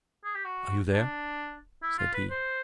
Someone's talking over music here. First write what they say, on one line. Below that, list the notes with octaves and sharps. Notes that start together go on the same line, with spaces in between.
"Are you there?" said he.
G#4
G4
F#4
D4
E4
F4
B4
C5